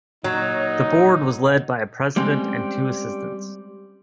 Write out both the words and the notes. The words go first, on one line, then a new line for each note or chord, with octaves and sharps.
The Board was led by a President and two assistants.
A#2 F#3 D#4 C#5
G3 G#3 C4 C#4